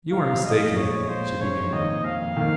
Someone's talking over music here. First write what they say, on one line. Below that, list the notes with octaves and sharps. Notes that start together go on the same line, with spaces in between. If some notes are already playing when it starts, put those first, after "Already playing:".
"You are mistaken," she began.
A#1 F5
A#2 G#3 D#5
A#1 C#5
A#2 G#3 C5
F2 C#5
D#3 A#3 D#5
F2 F5
D#3 A#3